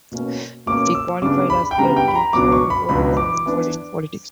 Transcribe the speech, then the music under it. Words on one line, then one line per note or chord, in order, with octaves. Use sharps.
He qualified as a teacher before becoming involved in politics.
B2 A#3 C#4
B2 A#3 C#4 D6
E6
C#3 G3 B3 D4 D6
B5
G5
C#3 G3 B3 D4 A#5
G5
B5
A#5
C#2 B2 F#3 B3 D4 D6
C#6
B5
C#2 B2 F#3 B3 D4 B5
D6
E3 B3 D4